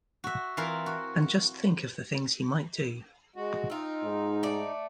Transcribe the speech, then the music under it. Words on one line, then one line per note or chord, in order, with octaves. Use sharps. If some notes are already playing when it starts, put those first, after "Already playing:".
And just think of the things he might do!
F#4 E5
E3 C4 E4 F4 A#4 C5
F#4
G#3 F#4
C4 D#4 F4
G#2
A3 D5